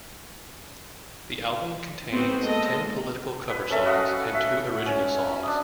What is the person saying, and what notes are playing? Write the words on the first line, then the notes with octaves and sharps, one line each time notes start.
The album contains ten political cover songs, and two original songs.
B3 C4 F#4 C5
G#3 A#3 A4 D#5
B4
C#4 A4 E5
F#4 D#5 F5 F#5
E5
C#4
D4 D#6